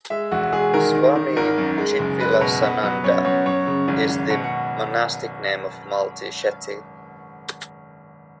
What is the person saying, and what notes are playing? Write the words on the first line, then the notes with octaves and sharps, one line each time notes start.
Swami Chidvilasananda is the monastic name of Malti Shetty.
G#3 E5
E1 F#4
G#3 G#4
D#3 A#4
D#3
D#3
G#1 A#4
F#2
G#3
F#1
G#3 B4
B2
B3
F#3
F#2 C#5
F#2 C#5
F#2 C#5
C#3
G#1
G#1
B2 F#5
F#5